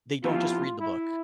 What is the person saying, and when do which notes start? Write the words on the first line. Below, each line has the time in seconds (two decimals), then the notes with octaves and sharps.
they don't just read the book.
0.24 F3 B3 E4 F4 G4
0.79 E4